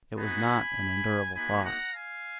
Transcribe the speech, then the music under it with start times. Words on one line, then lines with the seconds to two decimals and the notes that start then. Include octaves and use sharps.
It was not an endurable thought.
0.17 B3 D#4 F#4 G#5 B5
1.35 A#3 D#4 F#4 G#5 B5
1.64 F#5 A#5
1.94 F5 G#5